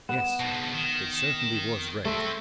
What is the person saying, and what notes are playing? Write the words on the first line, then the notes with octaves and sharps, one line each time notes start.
Yes! it certainly was red!
B3 E7
G#2 B2 A5
D#3 E7
A3 C4 A4 C6